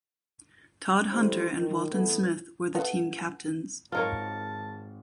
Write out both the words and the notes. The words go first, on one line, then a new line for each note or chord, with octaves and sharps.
Todd Hunter and Walton Smith were the team captains.
E3 G3 A3 E4 A4 C5
D#3
E2 A3 B3
A3 B3 F5
G#1 C4 D#4 F4 A#4 C#5 A5